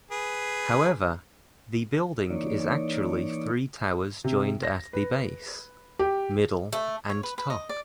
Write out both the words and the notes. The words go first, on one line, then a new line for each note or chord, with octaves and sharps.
However, the building is actually three towers joined at the base, middle and top.
G#4 B4
E3 A#3 D#4 C#5 D5
C3
A#6
B4
G4
A3
C#5
B4
B4
D#5
D5